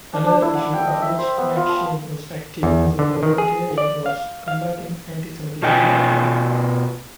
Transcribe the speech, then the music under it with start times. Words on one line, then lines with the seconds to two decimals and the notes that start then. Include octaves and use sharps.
Another issue on which MacShane was active as a parliamentarian was combating antisemitism.
0.14 D4
0.26 D4
0.42 E4
0.55 F#5
0.74 G5
0.88 D#5
1.02 E5
1.18 C5
1.38 B3
1.56 F4
1.69 A5
2.63 E2
2.99 D3
3.23 D#3
3.38 G#4
3.78 D5
4.06 F5
4.48 F5
5.62 B2 F4 D#5 G5 G#5